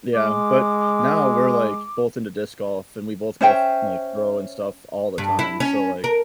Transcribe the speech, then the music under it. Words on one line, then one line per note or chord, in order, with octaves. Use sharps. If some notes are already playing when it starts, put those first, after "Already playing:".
Yeah, but now, we're, like, both into disc golf, and we both go th like, throw and stuff all the time, so, like,
G#3 D6
C#4 C5 E5 G5
G2
E4
C#4
A#4